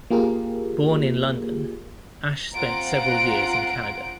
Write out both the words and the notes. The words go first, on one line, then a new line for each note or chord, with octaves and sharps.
Born in London, Ashe spent several years in Canada.
A#3 F4 G4 G#4 A#4
C4 F4 F#5 A#5 D7